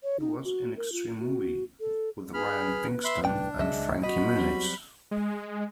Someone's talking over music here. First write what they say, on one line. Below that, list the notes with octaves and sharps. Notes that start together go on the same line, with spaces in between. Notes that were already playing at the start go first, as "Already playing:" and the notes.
He was in "Extreme Movie" with Ryan Pinkston and Frankie Muniz.
C#5
D#4
F#4
A#4
F4
F#4
A4
G#4 B4 B5 F6
E5 B5 C6
C2 A2 D4 G5
C#2 G#3 D#5 E5
F#4 D#5 B5
F#3 G3 C4
G#3